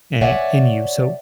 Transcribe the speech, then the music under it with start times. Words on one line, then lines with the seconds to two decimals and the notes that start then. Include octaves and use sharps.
eh, in you, so
0.21 C#5 D5 E5 F#5 G#5